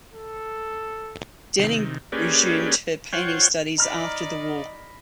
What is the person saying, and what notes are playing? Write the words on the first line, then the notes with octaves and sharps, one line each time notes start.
Denning resumed her painting studies after the war.
A4
C3 D#3
A#3 C#4 G4 G#4 B4 D5
F4 C5 C#5 F#5 G5
D#4 D5 D#5 A#5 B5 F6 A#6 B6